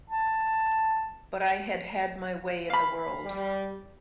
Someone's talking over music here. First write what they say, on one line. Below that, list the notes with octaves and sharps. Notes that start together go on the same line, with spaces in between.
But I had had my way in the world.
A5
F5 B5
G3